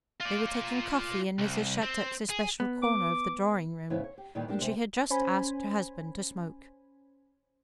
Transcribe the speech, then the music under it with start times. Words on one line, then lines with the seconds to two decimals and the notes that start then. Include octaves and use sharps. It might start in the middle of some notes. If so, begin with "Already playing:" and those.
They were taking coffee in Mrs. Shattuck's especial corner of the drawing-room, and she had just asked her husband to smoke.
0.21 F4 D5
1.39 C2
1.82 C4
2.30 G#4
2.60 B3
2.82 D6
3.90 G#2 C#3 B3 E4
4.04 C#5
4.18 G4
4.35 A#2 D#3 E3 G3 A#3
4.48 G2 A#3 D4 G4
4.60 C3 G#3
5.10 C#4 C5 G#5 B5